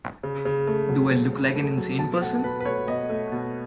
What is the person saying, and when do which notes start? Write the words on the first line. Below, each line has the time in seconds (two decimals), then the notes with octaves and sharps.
Do I look like an insane person?
0.23 C#3
0.45 C#3
0.67 A3
0.89 F#3
1.11 C#3
1.33 C#3
1.55 A3
1.77 F#3
1.99 B2 A5
2.22 A3 F#5
2.44 B2 B4
2.60 B4
2.65 A3 C#5
2.87 B2 D#5
3.09 A3
3.32 B2